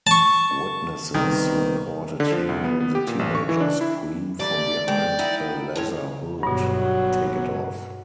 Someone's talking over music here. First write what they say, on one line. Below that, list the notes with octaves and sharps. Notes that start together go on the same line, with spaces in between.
Witnesses reported hearing the teenager scream from behind the leather hood, Take it off!
A5 C#6
C2 D#3 B3
D3
F3
C2
B3
B3
G4
A#2
A1
C#6
E3
D4
E4
D2 G4 D5
G#3 G5
D#4 E4 F#5
A2 G#3 C#5
G1 G2 B2 F#3